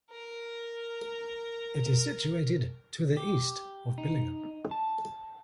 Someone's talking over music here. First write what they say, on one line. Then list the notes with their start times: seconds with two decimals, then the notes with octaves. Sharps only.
It is situated to the east of Billingham.
0.11 A#4 A#5
3.17 G4
3.98 D#4
4.71 A5